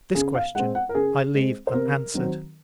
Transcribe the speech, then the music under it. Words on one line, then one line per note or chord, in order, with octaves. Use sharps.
This question I leave unanswered.
C#3 G#4
F5
G#3 C4 F#5
F#5
A#4
C#3 G#4
G#3 C4
C5
C3 A#4
D#3 F#3 C4